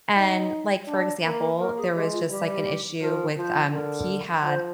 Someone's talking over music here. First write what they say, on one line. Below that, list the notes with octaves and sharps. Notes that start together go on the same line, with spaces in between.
And, like, for example, there was just, like, an issue with, um he had
D#4
D4
A#3
A#3 A#4
G#4
G#3 G4
F4
G3 G4
F3 A#4
F3 C5
D3 A#4
F3 C5